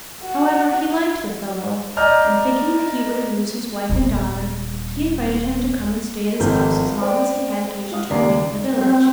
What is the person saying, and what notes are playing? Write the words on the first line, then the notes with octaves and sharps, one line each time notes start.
However, he liked the fellow; and thinking that he would amuse his wife and daughter, he invited him to come and stay at his house as long as he had occasion to remain in the village.
F#4
D5 D#5 A#5 F6 G6
D#1 G3
G#1 F3 A3 G6
C5 D5 G5
F#4 F5 D#6
D#2 C#3 D5 A#5 C7
C4